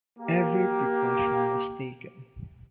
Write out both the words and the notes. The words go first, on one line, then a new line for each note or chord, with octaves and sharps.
Every precaution was taken.
A#3 G4